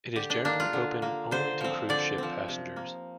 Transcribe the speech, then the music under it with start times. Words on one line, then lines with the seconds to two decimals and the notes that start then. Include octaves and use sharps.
It is generally open only to cruise ship passengers.
0.16 D3 G4
0.30 D4
0.45 A#3 D4
0.60 F4
0.73 D3
1.02 A#3
1.31 D3 C5
1.61 F3 C4
1.89 D3 D5
2.18 F3 C4
2.48 C3
2.76 A#3